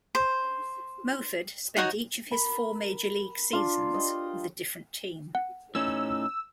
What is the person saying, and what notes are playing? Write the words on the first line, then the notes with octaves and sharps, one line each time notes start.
Moford spent each of his four major league seasons with a different team.
C5
D#4 F#4 C#5
A#4 B5
D4 F4
G4 D#5
F#5
A2 C#4 D#4 E6